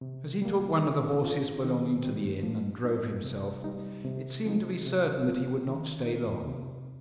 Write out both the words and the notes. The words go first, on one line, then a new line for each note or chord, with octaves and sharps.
As he took one of the horses belonging to the inn and drove himself, it seemed to be certain that he would not stay long.
C3
G3 A#3
D#3
C4 F4
D#3
G3 C4
F3
D#4
C3
G3 D#4
C3
F3 C4 D#4
C3
F3 A#3 F4
D#3
A#3 D#4
C3